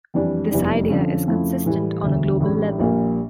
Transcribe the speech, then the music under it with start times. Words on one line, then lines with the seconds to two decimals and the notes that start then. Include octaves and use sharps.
This idea is consistent on a global level.
0.14 F2 E3 G3 D4
0.51 F1 E2 E3 G3 D4
0.89 F2 D3 F3 C#4
1.27 F2 C#3 F3 A3 E4
1.66 A2 E3 G3
2.02 E1 D2 D3
2.40 A1 A2 G3 D4
2.79 A#1 A#2 G3 A#3